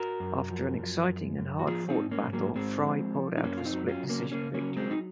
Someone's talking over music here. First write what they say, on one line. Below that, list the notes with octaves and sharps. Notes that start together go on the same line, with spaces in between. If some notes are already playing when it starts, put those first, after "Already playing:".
After an exciting and hard fought battle, Frye pulled out a split decision victory.
Already playing: F#4 A#4
F#2
F3
F#2
F#2
F#2
F#4
F3 F4 G#4
C4 D#4
G#2
A#3 C#4
G#2
F#3 A#3
G#2 G#3 C4
F3
F3
D#4
F#2 A#3 C#4
F4
C4 D#4
F#3
C#4 F4
C#3
A#3 C#4
C#3 A#3 C#4
A#3 C#4
F#3
G#3 C4
D#4